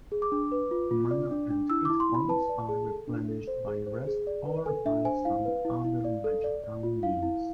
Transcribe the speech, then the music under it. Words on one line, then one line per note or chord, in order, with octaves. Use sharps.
Mana and hit points are replenished by rest or by some other magical means.
G#4
D6
D4
B4
F4
F4
D5
D4
D4
E4 E6
E4 D6
C6
E4 B5
B4 A5
D5
G#4
A4
D4
A4
C5
G#4
C5
G#4
D5
B4
A4 G#5
D4 E5
C5 G#5
E4 F5
B4
E4
E4
D5
A4
D5
D5
F4
E4 F5
E4